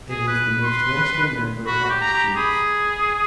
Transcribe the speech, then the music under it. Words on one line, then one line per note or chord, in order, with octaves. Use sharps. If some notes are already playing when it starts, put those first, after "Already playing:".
It is the most western member of its genus.
G#4
B4 B5
C6
F#4 B5
F#4
G4
A#5
G4
G#4 B5